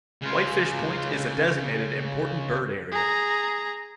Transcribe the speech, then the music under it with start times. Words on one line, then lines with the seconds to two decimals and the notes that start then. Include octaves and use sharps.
Whitefish Point is a designated Important Bird Area.
0.22 C#3 F4
2.91 G#4 A#5